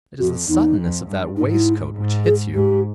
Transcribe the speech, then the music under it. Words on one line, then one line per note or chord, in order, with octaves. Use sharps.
It is the suddenness of that waistcoat which hits you.
F2 F#4
E2 D#4
F2
G2
G#2 D#4
E4
G#2
G#4
G#2 G4